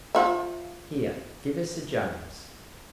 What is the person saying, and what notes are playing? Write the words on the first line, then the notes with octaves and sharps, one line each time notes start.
"Here, give us a james."
F3 F4 E5